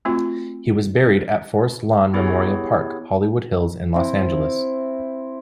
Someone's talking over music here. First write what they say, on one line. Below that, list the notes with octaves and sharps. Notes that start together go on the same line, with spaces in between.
He was buried at Forest Lawn Memorial Park, Hollywood Hills, in Los Angeles.
A3 C4 F4 F#4
B3 E4 G4 G#4 C#5
C4 E4